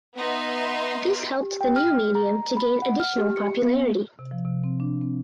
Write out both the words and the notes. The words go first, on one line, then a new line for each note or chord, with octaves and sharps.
This helped the new medium to gain additional popularity.
B3 D#4 B4 E5 C6
G4
G5
F6
A#5
B5
F#5
F6
G4
C#7
B3
C3
F3
C3
C4
D4
C4